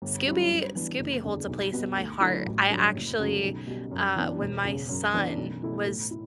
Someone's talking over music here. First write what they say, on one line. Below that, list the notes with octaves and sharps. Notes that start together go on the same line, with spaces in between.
Scooby Scooby holds a place in my heart. I actually uh, when my son was
G1
G2 F#3 C#4 E4
G2
E3 B3 D4
F#1
E2 D3
B1
B2 G3 B3
D2
D3 F#3 A3 E4
A1
G2 D3 F#3
F#1
F#2 C#3 F#3 A3
B1
B2 G3
F#2
E3 B3 D4
E1
E2 C#3
F#2
E3 B3 D4
B1
B2 A3 E4
A2
E4